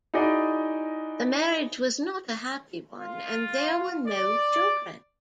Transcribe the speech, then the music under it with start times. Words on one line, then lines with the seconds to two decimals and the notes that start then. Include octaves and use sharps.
The marriage was not a happy one, and there were no children.
0.14 D#4 E4 F#4 G#4 D5 D#5
2.97 F4
4.06 D5